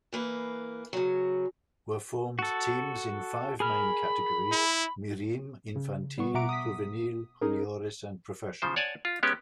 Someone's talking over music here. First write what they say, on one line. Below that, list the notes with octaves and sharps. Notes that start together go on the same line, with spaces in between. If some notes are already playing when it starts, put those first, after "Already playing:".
Were formed teams in five main categories: Mirim, Infantil, Juvenil, Juniores and professional.
E3 A#3 B4
C#3 F#3
F#4 A4
G#4 A#4 B5 F6
E4
C#3
G3 B3 C#6
B2 E5 F#5 A#5 D6 D7
D#6 B6
C#4 D#4 G#4 A#4
C#3 F3 C5
C#5 D5 F#5 G#5 A5
F4
G#3 B3 C#4 G4